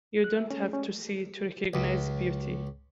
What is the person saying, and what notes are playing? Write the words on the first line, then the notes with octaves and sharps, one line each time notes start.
You don't have to see to recognize beauty.
F#6
E5
C#4
C#4
C#2